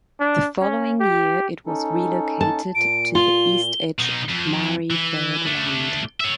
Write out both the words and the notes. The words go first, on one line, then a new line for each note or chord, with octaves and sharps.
The following year it was relocated to the east edge of Marie Byrd Land.
D4
C#4
G4
C#4 D#4 A4
A5
A#2 D7
F4 G7
B2 D#4
F2
E3
A3 D4
C#5 E5